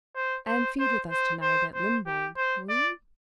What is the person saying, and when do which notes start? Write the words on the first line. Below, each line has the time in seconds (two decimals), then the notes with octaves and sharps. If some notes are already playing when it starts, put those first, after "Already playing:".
And feed with us to-night at Limpold, will you?
0.15 C5
0.47 C5
0.79 C5
1.10 C5
1.42 C5
1.74 C5
2.06 G4
2.37 C5
2.69 D5